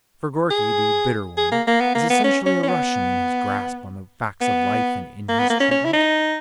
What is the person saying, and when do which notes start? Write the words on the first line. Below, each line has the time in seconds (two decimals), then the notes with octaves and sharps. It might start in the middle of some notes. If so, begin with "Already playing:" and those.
For Gorky, the Bitter One, is essentially a Russian in his grasp on the facts of life and in his treatment.
0.51 G#4
1.37 G#4
1.52 A#3
1.67 A#3
1.80 B3
1.95 A#3
2.10 B3
2.24 C#4
2.46 C#4
2.63 C#4
2.68 B3
4.41 B3
5.29 A#3
5.39 B3
5.50 A#3
5.60 C#4
5.71 C#4
5.85 E4
5.93 D#4